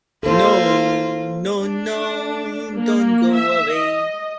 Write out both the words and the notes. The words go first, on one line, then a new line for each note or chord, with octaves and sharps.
No, no, no, don't go away.
A#3 F4 A4 C5
D4
A#3
E5
D#5